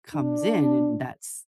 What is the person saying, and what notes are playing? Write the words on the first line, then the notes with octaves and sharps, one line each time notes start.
comes in, and that's
D4